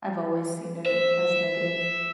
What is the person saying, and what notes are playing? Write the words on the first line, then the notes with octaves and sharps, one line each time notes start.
I've always seen it as negative,
C5 E5